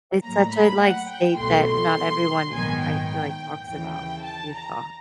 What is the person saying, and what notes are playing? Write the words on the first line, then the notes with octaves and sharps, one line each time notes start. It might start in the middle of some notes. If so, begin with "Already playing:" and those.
It's such a like state that not everyone, I feel like, talks about- Utah.
A2 F#3 A#3 A#5
B5
F#5
G5
C2 B2 F#3 A3 C6
C6
A#1 G#2 D#3 F#3 B3 G#5
G5
D#2 C#3 E3 G5
G5
A5
A#5